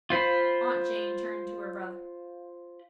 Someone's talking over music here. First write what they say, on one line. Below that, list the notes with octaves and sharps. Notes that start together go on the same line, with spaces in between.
Aunt Jane turned to her brother.
F4 C5 B5